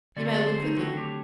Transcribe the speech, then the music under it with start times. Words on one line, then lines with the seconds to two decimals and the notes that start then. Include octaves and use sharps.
"You may look at them."
0.16 D3 F#3 A3 C4 D5
0.32 D5
0.47 C5
0.62 D#4
0.76 D3 F#3 A3 C4 F#4
0.97 G4